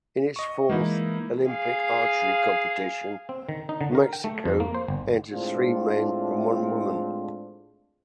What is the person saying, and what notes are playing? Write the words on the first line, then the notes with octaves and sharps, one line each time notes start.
In its fourth Olympic archery competition, Mexico entered three men and one woman.
D#5 C#6
E3 G#3 A#3 D#4 E4
G#4 F5
C4
D#3
D#4
D3
A#4
G5
A3
F2
A#3
C5
G1
A2 G#3 C4 D4 F4